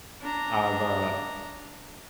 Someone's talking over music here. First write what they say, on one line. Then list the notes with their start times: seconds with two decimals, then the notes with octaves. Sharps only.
I've, uh
0.21 D4 A#5